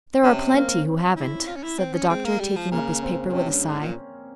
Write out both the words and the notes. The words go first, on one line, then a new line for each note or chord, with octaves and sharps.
"There are plenty who haven't," said the doctor, taking up his paper with a sigh.
C3 C#4
A#3 C4
E4
F4
C#4
E4
C4
C#4
G#3 C4
A#3
G3
F3
C#3 A#3
C4
C#3
C3 C#4
G2
G#2
A#2